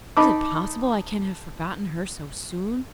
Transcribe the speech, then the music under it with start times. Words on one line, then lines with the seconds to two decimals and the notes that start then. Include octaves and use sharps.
'Is it possible I can have forgotten her so soon?
0.17 D#4 A5 B5 D6